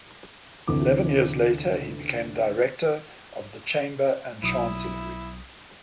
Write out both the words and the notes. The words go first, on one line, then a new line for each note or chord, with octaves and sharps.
Eleven years later he became director of the chamber and chancellery.
D2 C3 E3 D6
B1 E4 D#6